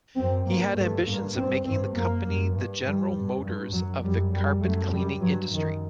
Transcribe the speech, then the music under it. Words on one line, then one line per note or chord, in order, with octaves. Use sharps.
He had ambitions of making the company the General Motors of the carpet-cleaning industry.
F#2 C4
G2 A#3
G2 A3
G2 A#3
G2 C4
G2 C4
F#2 A#3
F#2
G2
G2 G3
G2
G2
F#2 F#3
F#2 G3
F#2 G3
F#2 A3
F#2 G3
G2 F#3
F#2 D#3